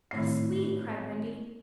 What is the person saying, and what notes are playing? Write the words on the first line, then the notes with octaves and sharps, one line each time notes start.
"How sweet!" cried Wendy.
G#1 A2 C7